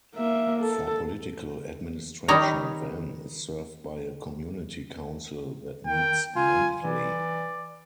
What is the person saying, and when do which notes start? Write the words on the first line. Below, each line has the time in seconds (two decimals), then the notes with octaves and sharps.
For political administration Van is served by a Community Council that meets monthly.
0.15 A#3 E5
0.61 A4
2.28 D#3 G3 D#4 C#5 A#5
5.86 D#3 G5
6.36 F4 G#5
6.83 E3 D5